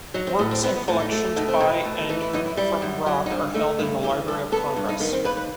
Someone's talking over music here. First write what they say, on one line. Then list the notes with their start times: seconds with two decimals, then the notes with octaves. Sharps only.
Works and collections by and from Rock are held in the Library of Congress.
0.14 F#3 D#4
0.27 C4
0.39 A2 B3
0.51 C4
0.63 B3 C4
0.76 B3
0.88 A2 C4
1.00 D#4
1.12 A3 F#4
1.24 G4
1.36 B2 D#4
1.48 C4
1.60 B2
1.85 A3
2.09 E3 D#4
2.21 E4
2.33 F#2 D#4
2.46 E4
2.57 G3 E4
2.82 F#2
3.06 F#3 E4
3.26 D#4
3.30 G2 C4
3.54 A3 D#4
3.79 G2 E4
4.03 E3 G4
4.28 G2 A4
4.52 B3 A4
4.76 G2
4.89 D#4
5.00 D#3 B3
5.12 C4
5.24 D#2 B4
5.37 B4